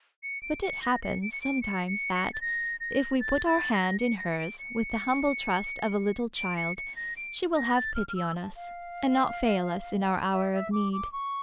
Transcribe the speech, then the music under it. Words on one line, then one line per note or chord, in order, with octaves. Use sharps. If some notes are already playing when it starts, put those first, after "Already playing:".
But it happens sometimes that, if we put our hand in hers with the humble trust of a little child, she will have pity on us, and not fail us in our hour of need.
C#7
D7
C#7
A#6
C#7
D7
C#7
D7
C#7
C#7
C#7
A6
A#6
A#6
A6
A6
A#6
C#7
A#6
C#7
D7
C#7
D7
C#7
C#7
A#6
D7
A#6
A6
F6
F6
E6
A5
F5
E5
E5
D6
D6
C#6